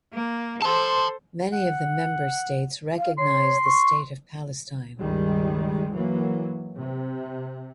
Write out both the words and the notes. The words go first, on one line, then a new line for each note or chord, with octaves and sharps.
Many of the member states recognise the State of Palestine.
A#3
A4 C5 A5 C6
F#5
F5
C#5 C6
C#6
C#2 G2 D#3 G3 G#3
E3 F#3 A#3
C3